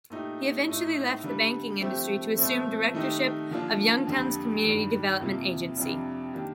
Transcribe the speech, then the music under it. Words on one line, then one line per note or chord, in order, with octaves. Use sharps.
He eventually left the banking industry to assume directorship of Youngstown's Community Development Agency.
A#2 A3 D#4 G4
A2 A3 D#4
D3 G3 A#3
F3 A3 C4 G4
A#2 F3 A3 C4
D#3 A3 D#4 G4
D3 F3 A#3 D4 F4
F2 D3 G3 A#3
G2 D#3 G3 D4
F2 C3 F3 A#3 F4
F2 C3 G3 D4 F4
D#3 A#3 D4 G4